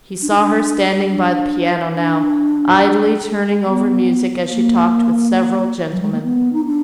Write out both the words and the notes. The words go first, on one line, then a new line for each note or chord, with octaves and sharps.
He saw her standing by the piano now, idly turning over music as she talked with several gentlemen.
D4
D#4
D4
D4
D4
B3
A#3
F#3
G#3
A#3
B3
D#4
D4